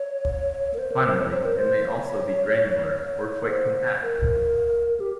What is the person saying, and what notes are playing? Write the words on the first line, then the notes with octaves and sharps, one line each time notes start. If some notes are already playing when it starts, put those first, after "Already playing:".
Finally, it may also be granular or quite compact.
Already playing: C#5
A#4
C5
A#4
C5
C#5
C5
A#4
C5
C#5
C5
A#4
G4